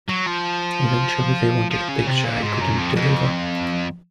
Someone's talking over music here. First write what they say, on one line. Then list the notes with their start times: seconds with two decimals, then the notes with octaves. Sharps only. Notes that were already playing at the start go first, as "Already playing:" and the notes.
Eventually, they wanted a picture I couldn't deliver.
0.10 F#3
0.27 F3
1.71 F3
1.88 C#3
2.07 C3
2.24 A#2
2.43 G#2
2.61 F#2
2.78 F2
2.96 F2